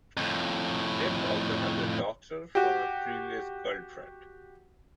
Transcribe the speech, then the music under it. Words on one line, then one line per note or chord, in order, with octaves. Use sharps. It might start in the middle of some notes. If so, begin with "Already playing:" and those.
Dif also has a daughter from a previous girlfriend.
F2 A2
F#4 G4